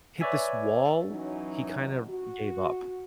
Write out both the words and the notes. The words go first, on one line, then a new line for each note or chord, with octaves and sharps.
hit this wall, he kind of gave up,
B4 C#5 D5 E5 G#5
E3 F#3 C#4 D#4
F#4